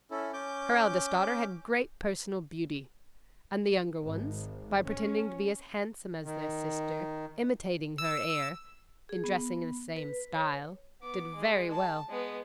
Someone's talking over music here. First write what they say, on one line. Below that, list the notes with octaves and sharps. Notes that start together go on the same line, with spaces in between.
Her eldest daughter had great personal beauty, and the younger ones, by pretending to be as handsome as their sister, imitating her air, and dressing in the same style, did very well.
C#4 E4 A4
C#4 D6 G6
G#1
C#4
D#3
E6
G#4
B3
B4
C#5
B3 D6
G#3
A5
G#3 B3